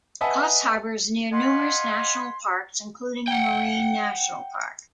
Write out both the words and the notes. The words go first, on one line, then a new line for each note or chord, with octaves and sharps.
Coffs Harbour is near numerous national parks, including a marine national park.
B4 D#5 E5 F#5 G#5 A5
D#5 F5 F#5 G#5 B5 C6
F#5 G5